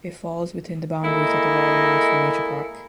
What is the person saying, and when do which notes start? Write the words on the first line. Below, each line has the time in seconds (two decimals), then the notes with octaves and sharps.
It falls within the boundaries of the Rila Monastery Nature Park.
1.03 G#3 A#3 E4 A4 D#5 A#5